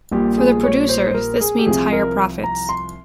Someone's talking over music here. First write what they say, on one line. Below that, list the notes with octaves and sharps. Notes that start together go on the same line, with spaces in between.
For the producers, this means higher profits.
A#1 A#2 G3 G4
G#4
C#5
C5
C5
A#4
G#4
G4
C2 C3 F3 G#4
A#4
A#5
C6